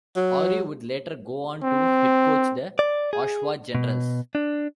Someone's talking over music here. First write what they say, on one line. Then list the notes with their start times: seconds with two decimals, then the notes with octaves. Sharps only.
Aurie would later go on to head coach the Oshawa Generals.
0.16 F#3
1.63 C4
2.79 D5
3.13 G#4
3.75 B2
4.35 D4